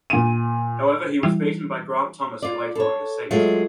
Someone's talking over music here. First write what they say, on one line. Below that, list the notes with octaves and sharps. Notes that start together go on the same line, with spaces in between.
However he was beaten by Grant Thomas who later won the seat.
A#2 D#7
E3 G3 E4
F4 D5
A4 C#5
F#3 G#3 A3 F4